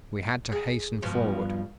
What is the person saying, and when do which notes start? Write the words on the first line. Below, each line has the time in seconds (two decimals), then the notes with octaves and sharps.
We had to hasten forward.
0.52 G#4
1.02 G2 B2 F3